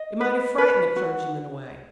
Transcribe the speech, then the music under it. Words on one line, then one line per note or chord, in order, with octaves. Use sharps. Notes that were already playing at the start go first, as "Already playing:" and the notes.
It might have frightened the clergymen away.
Already playing: D#5
B4
B4
F#4